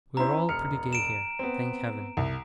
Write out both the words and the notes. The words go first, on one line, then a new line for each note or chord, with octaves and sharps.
'We are all pretty gay here, thank Heaven!
C#4 E4 C5 A#5
E1 F6 C#7
D7 E7
B3 C4
C2